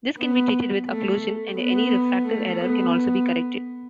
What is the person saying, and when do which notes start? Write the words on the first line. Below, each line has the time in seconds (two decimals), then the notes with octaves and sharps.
This can be treated with occlusion, and any refractive error can also be corrected.
0.18 B3
0.87 A3
1.56 B3
2.26 A3
2.61 B3